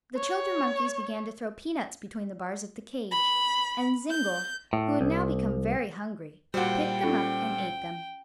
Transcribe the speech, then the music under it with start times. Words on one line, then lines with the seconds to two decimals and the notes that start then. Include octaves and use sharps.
The children-monkeys began to throw peanuts between the bars of the cage, and Zingle, who had now become very hungry, picked them up and ate them.
0.16 C#5
3.11 B5
4.10 G6
4.73 A2
5.01 C2
6.54 A#2 G3 F#4 C5 F#5 G5
7.03 C#4 F4 A4